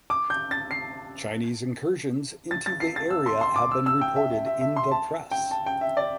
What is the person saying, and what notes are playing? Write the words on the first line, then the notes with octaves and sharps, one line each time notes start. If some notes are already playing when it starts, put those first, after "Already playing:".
Chinese incursions into the area have been reported in the press.
D6
G6
A6
C7
A6
A6
C7
A6
E6
C6
C6
D6
E6
E6
G5
E5
E5
E5
E5
C6
A5
G5
A5
G5
E5
D5